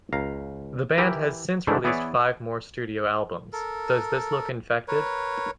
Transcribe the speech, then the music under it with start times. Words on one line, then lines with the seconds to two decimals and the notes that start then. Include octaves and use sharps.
The band has since released five more studio albums: Does This Look Infected?
0.13 C#2 F5 A#5
0.98 E3 E4 G4 A#4
1.67 G#2 D3 E3 A3 D4 E4
1.84 E3 B3 E4 G#4 C#5 D5
3.53 A4 A#4
4.88 A#4 B4 C#5